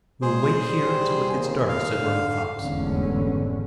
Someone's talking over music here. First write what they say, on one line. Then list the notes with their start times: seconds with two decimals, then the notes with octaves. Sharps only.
"We will wait here until it gets dark," said Running Fox.
0.22 G#3 G#4 C5
0.57 G3
1.33 D#2
1.69 F5
1.99 D3
2.61 F1 E2 G#2 D3 C#4